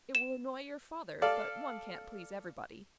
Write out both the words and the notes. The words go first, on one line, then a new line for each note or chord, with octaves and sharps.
It will annoy your father, but one can't please everybody.
E7
A4 D5 F5